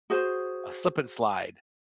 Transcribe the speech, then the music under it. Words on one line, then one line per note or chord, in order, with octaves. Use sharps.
a Slip 'N Slide
F#4 G#4 C5